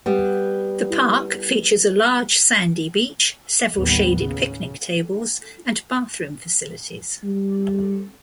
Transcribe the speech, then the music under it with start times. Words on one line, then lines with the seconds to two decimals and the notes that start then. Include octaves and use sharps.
The park features a large sandy beach, several shaded picnic tables and bathroom facilities.
0.06 G3 B3
3.75 A1 D#2 G3 B3
4.22 C#3
7.24 G3